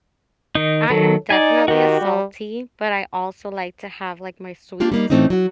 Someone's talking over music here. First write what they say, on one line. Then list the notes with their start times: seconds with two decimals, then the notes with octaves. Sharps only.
I am definitely a salty, but I also like to have, like, my sweets,
0.55 D#3 D#4
0.90 D#3 F#3 A4
1.30 D#4 D5 G#5
1.68 D#3 F#4 G4
2.01 G3
4.80 A#3 D4 F4 G4
4.92 G3 A#3 D#4
5.10 A2 E3 A3 C4 C#4 D#4
5.30 F#3 F#4